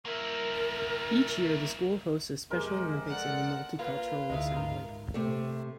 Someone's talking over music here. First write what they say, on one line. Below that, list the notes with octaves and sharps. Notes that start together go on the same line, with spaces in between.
Each year, the school hosts a Special Olympics and a Multicultural Assembly.
A#3 E4 A#4
F2 C3 G#3 A#4
A4 D5 F#5
A#3 F4 B4
D2 G#3 D#4 E4
G#2 A#4
C3 A3